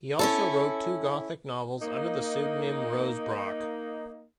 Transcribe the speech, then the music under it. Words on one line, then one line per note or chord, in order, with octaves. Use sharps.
He also wrote two gothic novels under the pseudonym Rose Brock.
C#4 E4 A4
A#3 D#4